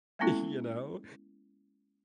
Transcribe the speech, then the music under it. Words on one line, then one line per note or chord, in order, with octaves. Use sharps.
you know?
G#3 A#3 B3 C#4 E4 A4